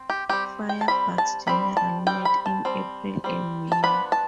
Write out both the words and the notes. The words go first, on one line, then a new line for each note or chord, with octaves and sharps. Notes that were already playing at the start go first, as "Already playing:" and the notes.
Firebugs generally mate in April and May.
Already playing: C4
G4
G3 C4 G4
G5
A5
G3 C4 B5
A5
G3 C4 B5
A5
G3 C4 G5
B5
A5
G3 C4
G3 C4
A5
F3 B3 D4 B5
A5